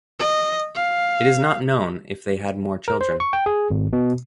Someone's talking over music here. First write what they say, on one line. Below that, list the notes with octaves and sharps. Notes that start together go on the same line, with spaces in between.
It is not known if they had more children.
D#5
F5
A#4
C5
C#6
G5
G#4
G#1
B2